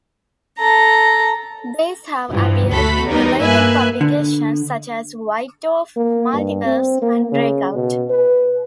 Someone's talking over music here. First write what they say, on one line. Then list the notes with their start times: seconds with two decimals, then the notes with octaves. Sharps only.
These have appeared in related publications such as "White Dwarf", "Multiverse" and "Breakout!".
0.58 A4 A#5
2.29 G2 E3 F3
2.70 D2 A3 F#4 A4 B5 B6
3.07 E2 C#3 G3 B3 D#4 A#4
3.41 G2 A#3 B4 E5 G#5 F#6
4.01 D3
5.97 A#3
6.33 G2
6.65 C4
7.02 A#3
7.32 C#3
7.75 B2
8.10 B4